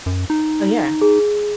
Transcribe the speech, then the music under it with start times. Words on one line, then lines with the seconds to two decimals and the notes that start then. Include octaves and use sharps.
Oh yeah.
0.06 F#2
0.30 D#4
1.01 G#4